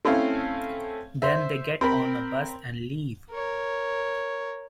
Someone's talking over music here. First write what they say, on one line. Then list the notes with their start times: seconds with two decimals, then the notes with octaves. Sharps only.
Then they get on a bus and leave.
0.05 A3 C4 C#4 E4 F5
1.22 C5 E5
1.81 C4 A#4 B5
3.31 A#4 C#5